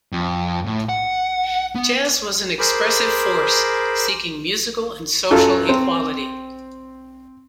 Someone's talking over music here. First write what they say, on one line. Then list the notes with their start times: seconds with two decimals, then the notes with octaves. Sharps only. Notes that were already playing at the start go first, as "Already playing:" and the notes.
Jazz was an expressive force seeking musical and social equality.
0.12 F2
0.66 A2
0.89 F#5
1.75 B3
2.59 G#4 A#4 C5 B5 D6
5.30 F#2 F4 A4
5.69 C4